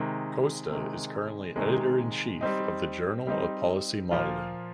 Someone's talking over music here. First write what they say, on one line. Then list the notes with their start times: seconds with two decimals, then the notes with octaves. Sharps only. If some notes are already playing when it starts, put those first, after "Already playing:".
Costa is currently Editor-in-Chief of the Journal of Policy Modelling.
Already playing: C3 D#3 G#3
0.71 C3 D#3 G#3
1.56 C3 D#3 G#3
2.41 G3 C4 D#4
3.27 G3 C4 D#4
4.11 A#2 F3 A#3 F4